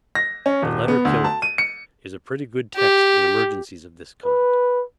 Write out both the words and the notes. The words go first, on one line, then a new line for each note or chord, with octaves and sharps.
"The letter killeth" is a pretty good text in emergencies of this kind.
A#6
C#4
D#1
B3
D2
A5
D#7
C#7
G4
B4